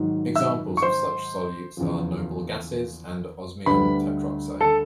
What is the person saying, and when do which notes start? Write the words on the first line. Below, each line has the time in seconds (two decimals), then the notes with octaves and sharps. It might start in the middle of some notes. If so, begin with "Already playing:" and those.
Examples of such solutes are noble gases and osmium tetroxide.
Already playing: G#2 D#3 F#3
0.36 E5 E6
0.77 C#6
0.82 C5 C6
1.77 E2 C#3 F3
3.66 D2 D3 G3 B4 B5
4.61 A4 A5